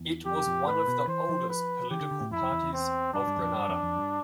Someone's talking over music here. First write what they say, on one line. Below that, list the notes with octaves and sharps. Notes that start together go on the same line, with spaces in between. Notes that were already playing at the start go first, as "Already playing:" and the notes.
It was one of the oldest political parties of Grenada.
Already playing: E2
F2 G4
F2
A2 B4
B2
E3 C5
F3
B4
E3 G4
D3
D3
A2
F2 E4
F2
E2
E2
C4
G2 D4
G2
E2
F2
G2
F2
F2
G2